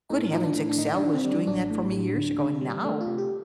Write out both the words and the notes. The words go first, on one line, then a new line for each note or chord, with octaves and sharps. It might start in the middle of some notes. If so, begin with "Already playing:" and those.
Good heavens, Excel was doing that for me years ago, and now,
A2 D#4
F3 D#4
D4
A2
D4
D#3 D#4
D4
D#3
C4
G3
D4
A1 D4
A2
G3
D2
D3
G3
A3 D4
F4
C3
G4